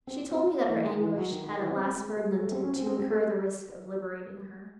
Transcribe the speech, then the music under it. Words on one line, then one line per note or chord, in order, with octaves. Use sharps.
She told me that her anguish had at last spurred Linton to incur the risk of liberating her.
C4
C4
E3
D#3
E3
F#3
D#3
D#3
E3
C4
C4
G#3
G#3
A3
C4
C#4
C4
C4
C4
A3